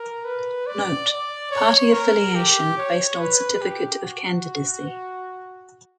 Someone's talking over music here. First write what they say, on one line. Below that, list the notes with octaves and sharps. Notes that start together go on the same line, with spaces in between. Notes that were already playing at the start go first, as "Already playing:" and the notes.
Note: Party affiliation based on Certificate of Candidacy.
Already playing: A#4
B4
D5
D5
C#5
A#4
G4
C#5
B4
G4
F#4